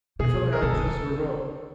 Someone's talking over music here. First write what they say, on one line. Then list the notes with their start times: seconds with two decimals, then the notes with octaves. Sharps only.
it feel like I just grew up,
0.19 B2 G#4
0.53 A#4
0.62 C3 A4
0.73 C#3
0.83 D3